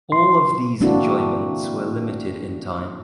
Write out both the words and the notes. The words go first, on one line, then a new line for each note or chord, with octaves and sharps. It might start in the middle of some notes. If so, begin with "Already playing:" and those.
All of these enjoyments were limited in time.
C6
A#3 C4 D4 E4 F#4